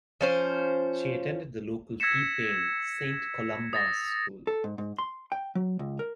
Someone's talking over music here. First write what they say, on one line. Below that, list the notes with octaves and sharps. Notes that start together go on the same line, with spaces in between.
She attended the local fee paying Saint Columba's School.
F3 C#4 C5
E6 G#6 A#6 B6 C#7 E7
D#6 A6 A#6
A4
G#2
G#2
C6
G5
F#3
C#2
A#4